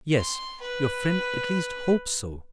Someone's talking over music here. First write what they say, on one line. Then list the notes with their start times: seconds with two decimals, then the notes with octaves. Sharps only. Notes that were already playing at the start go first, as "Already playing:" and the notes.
"Yes--your friend at least hopes so."
0.17 C6
0.60 B4